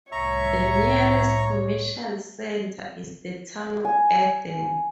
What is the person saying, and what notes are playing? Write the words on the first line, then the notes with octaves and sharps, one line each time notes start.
The nearest commercial centre is the town of Eden.
C2 A2 C#5 E5 A#5 C#6
G#5